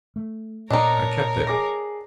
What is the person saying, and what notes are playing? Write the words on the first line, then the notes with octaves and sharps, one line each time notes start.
"I kept it."
A3
A#2 B3 D4 D#4 A#4 C#5 D#5
G#4 D6 A#6